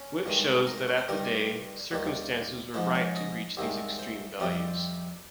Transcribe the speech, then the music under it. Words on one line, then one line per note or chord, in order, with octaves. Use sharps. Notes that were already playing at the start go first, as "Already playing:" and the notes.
Which shows that at the day, circumstances were right to reach these extreme values.
Already playing: C#4
G2 D#3 G#3
A#4
C5
C#5
C5
G2 D#3 G3 A#4
D#2 D#3 G3
G#2 F3 G#3 C5
C#5
D#5
C2 C3 D#3 G#3
C5
F2 C3 G3 C5